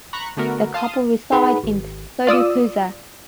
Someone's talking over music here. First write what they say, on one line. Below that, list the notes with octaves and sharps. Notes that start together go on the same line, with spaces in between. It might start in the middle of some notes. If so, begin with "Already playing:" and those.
The couple reside in Thodupuzha.
A#5 B5 C#6 F#6
D3 A3 B3 F#4 A#4
F5 A5 C6 D#6
D#4 G#4 B4 F#5 B5
G#1
F4 D5 D#6 E6